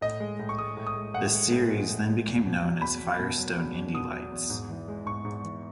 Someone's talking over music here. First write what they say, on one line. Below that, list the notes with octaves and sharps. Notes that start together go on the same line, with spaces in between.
The series then became known as "Firestone Indy Lights".
A2 D#5
G#3
A2
C#6
G#3 D#6
A2
D#6
G#3
A2 F#5
G#3
A2
G#3
A2
G#3
E2
B2
F#3
E2 B5
E2
B2
F#3
E2
E2
B2 D#6
F#3
E2
G#2
E3
G#3
G#2 C#6
G#2
E3